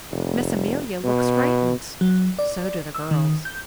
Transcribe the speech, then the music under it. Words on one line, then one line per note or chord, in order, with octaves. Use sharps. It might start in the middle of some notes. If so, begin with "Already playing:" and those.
Miss Amelia looks frightened, so do the girls.
F1
B2
F#3
D5
E6
D#3
G6